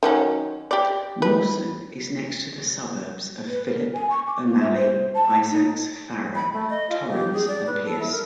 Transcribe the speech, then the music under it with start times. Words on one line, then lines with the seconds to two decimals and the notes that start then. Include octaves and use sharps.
Mawson is next to the suburbs of Phillip, O'Malley, Isaacs, Farrer, Torrens and Pearce.
0.03 D#3 F#3 C#4
0.71 G4 D5
1.22 B4
3.48 B4
3.66 A#4
3.93 G#5
4.10 C#6
4.27 D6
4.45 F4
4.60 E5
4.75 C5
5.14 A5
5.51 D#4
6.35 B5
6.53 A3
6.70 D#5
6.89 F4
7.09 G4
7.33 G#4
7.48 D5
7.67 B4
7.84 A4
7.99 E4
8.11 A#4